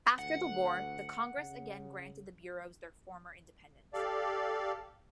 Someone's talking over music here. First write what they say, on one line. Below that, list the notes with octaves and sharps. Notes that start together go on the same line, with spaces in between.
After the war, the Congress again granted the bureaus their former independence.
D2 F#5
C#3
G4 A4 D5 F5